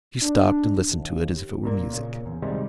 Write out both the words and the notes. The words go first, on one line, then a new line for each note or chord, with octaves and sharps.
She stopped, and listened to it as if it were music.
D4
D#2
A#2 A#3
A#2 C#3
E2
C3 D#3 G3 G#3